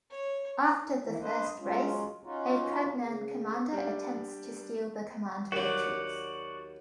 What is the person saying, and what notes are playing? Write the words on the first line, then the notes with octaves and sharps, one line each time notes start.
After the first race, a Kragnan commander attempts to steal the Command Matrix.
C#5
D#3 E3 A#3 E4
D4 B4 C5 D#5
F#3 G#3 C#4 F4
C#4 D#4 F4 F#4
C#3
G3 D4
D#2 F#3 F#4 D5